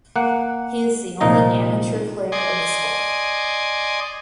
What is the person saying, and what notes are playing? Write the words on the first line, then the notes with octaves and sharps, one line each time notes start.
He is the only amateur player of the squad.
A#3 F#5
C2 A#2 F3 D#4 A#5
D5 D#5 G#5 C6